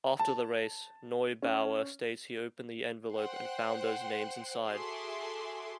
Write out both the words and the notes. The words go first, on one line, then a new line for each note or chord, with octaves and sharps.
After the race, Neubauer states he opened the envelope and found those names inside.
A5
C#4
C5 F#5 G5 C6
F#4 G#4 A4 E5 C6 D6